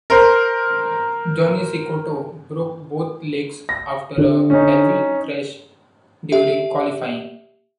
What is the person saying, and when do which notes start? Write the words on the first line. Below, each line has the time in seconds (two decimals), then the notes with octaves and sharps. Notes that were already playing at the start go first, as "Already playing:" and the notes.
Johnny Cecotto broke both legs after a heavy crash during qualifying.
0.10 A#4 C5
3.69 A#6
4.18 D3
4.50 C#4 D#4
6.32 G4 E5